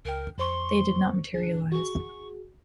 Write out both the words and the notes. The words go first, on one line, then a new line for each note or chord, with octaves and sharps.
They did not materialize.
C#2 A#4 G5
F2 C5 C6 C#6
D4 G#4
F#4 G#4 C#6